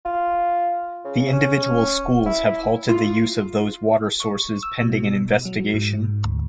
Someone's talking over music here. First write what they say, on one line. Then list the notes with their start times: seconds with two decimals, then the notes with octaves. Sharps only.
The individual schools have halted the use of those water sources pending an investigation.
0.05 F4
1.04 C#3
1.33 C#4
2.26 E4
2.89 F4
4.20 C#6
4.63 E6
4.82 B2
5.45 F#3
5.74 G#2
6.24 D2